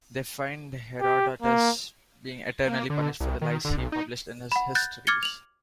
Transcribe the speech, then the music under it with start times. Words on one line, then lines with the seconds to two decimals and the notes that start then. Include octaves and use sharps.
They find Herodotus being eternally punished for the "lies" he published in his "Histories".
1.01 G4
1.43 A#3
2.67 A#3
2.90 D3
3.20 C2
3.42 D#3
3.65 D3
3.78 B1
3.92 D#4
4.52 F#5 B5
4.75 F#6 G6 A6
5.07 D6 F6 G#6 A6 C#7 G7
5.23 F7 F#7